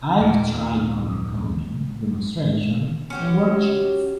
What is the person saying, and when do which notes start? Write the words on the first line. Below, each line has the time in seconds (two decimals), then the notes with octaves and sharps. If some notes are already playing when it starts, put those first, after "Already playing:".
I’ve tried color coding, demonstration, and worksheets.
0.20 D#2 A#2
3.10 C#4 F#4 G4